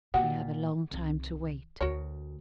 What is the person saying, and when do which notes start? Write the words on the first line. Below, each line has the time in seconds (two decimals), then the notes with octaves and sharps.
We have a long time to wait.
0.14 A#2 F#4 G4 F#5
0.91 C2 D#3
1.81 D2 F#4 A#4 C#5